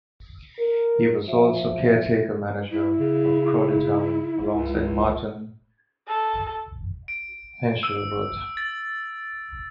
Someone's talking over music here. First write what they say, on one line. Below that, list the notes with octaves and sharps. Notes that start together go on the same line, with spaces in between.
He was also caretaker manager of Crawley Town alongside Martin Hinshelwood.
A#4
F3 E5
E4
C#3
C#2
A4
D7
E6
A6